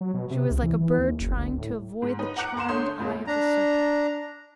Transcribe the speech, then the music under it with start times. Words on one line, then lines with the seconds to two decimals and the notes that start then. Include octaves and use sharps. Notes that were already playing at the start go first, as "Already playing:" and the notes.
She was like a bird trying to avoid the charmed eye of the serpent.
0.01 F#3
0.14 B2
0.31 C3
0.51 C#2
0.63 E3
0.81 E3
0.98 D#2
1.20 F#1
1.36 D2
1.58 A2
2.02 G#2
2.19 D#4 B4
2.36 F#5 A#5 D6 F#6 C#7
2.56 G1 A#5 C6 E7
2.68 D3 A3 C#5 C6 D#6 G6
2.99 A1 F2 A2 G#3 A#3 C#5
3.27 D4 A#5